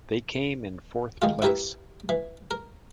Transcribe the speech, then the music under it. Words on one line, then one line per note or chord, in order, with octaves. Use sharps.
They came in fourth place.
D#3 G#3 F4
E4 G4 A#4 B4 E5
E3
A#4